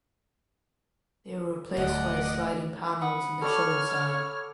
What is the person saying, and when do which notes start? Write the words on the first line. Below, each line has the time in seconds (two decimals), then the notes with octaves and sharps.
They were replaced by sliding panels in the Shoin style.
1.77 D1 D2 D5 D#5 F#5
3.02 F#5 B5 D#6
3.42 A4 C#5 D5 C#6 F6